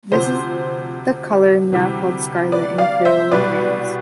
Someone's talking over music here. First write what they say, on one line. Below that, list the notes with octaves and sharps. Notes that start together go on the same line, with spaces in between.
This is the color now called "scarlet" in Crayola crayons.
D2 C3 F3 C5
D2 C3 E3 G3
B4 D5
D5 F5
C5 E5
C2 B2 G3 B4 D5